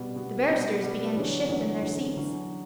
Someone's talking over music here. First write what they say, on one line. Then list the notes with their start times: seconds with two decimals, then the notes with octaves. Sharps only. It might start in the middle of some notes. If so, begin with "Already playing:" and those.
The barristers began to shift in their seats.
Already playing: B2 G3 B3
0.16 B2 G3 B3
0.49 B2 G3 B3
0.82 B2 G3 B3
1.16 E2 D3 F#3 C#4
1.49 E2 D3 F#3 C#4
1.82 E2 D3 F#3 C#4
2.16 E2 D3 F#3 C#4